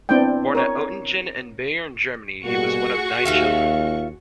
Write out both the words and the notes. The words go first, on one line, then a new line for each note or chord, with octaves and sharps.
Born at Oettingen in Bayern, Germany, he was one of nine children.
B3 C4 D4 E4 D5 G5
A#4 C#5
B2 G3 A#3 F#4 G#4 C#6
D#2 F4 E5 F5